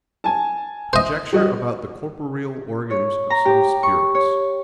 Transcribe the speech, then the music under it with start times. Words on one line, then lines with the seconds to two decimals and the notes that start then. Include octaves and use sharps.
Conjecture about the corporeal organs of some Spirits.
0.24 G#5 A5
0.93 C5 D#5
1.33 G3 F#4 D#5
2.90 C#5
3.30 A#5
3.45 G4
3.83 C#6
4.15 C#5